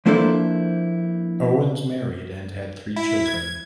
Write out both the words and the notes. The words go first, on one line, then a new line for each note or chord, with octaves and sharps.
Owens married and had three children.
F3 A#3 D4 E4 A4 C5
E4
G#6